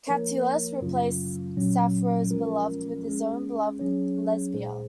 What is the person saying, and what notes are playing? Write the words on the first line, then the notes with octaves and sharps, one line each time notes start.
Catullus replaces Sappho's beloved with his own beloved Lesbia.
F3 A#3 D#4 A#4 C#5
F#2 C#3 F#3 C#4 F4
A#2 F#3 C#4
F3 G#3 C#4 F4 A#4
G#3 C#4 G#4
F#3 C#4 G#4 C#5
A#2 G#3 D#4 G#4 C5